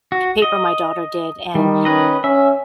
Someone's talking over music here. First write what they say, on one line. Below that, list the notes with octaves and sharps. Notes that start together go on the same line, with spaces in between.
paper my daughter did, and
F#4
D#5
D#3 G3
C#4 B4 D#5
C#4 E5